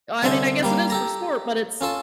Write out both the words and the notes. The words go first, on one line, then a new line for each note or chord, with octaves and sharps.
I mean, I guess it is for sport, but it's
C2 D3 C5 E5 G#5 C6
G3 A#3
G4 A4 A#5
C#4 F4 A4 A5